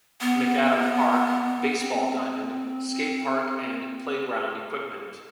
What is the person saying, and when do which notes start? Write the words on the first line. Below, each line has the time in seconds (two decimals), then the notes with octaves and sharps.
McAdam Park - Baseball diamond, Skatepark and playground equipment.
0.21 B3
1.79 C4